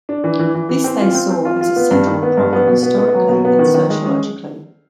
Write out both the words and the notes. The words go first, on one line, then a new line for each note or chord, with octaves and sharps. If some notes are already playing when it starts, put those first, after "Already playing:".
This they saw as a central problem historically and sociologically.
D4
E3
E3
E3
E3
C4
F4
C4
C4
F4
F4
B3
G2
D#3
B3
G2
B3
B2
B3
B3
F#3
B2
B3
D#3
D#3
G#3
C#4